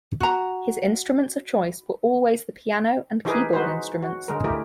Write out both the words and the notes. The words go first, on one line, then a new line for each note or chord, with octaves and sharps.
His instruments of choice were always the piano and keyboard instruments.
F#4 A#5
E3 D#4 G4 G#4 A#4 B4
G#3 D#4 F#4 B4 C5
F#4
D3 G#3 A#4
A3 E4 G4 A#4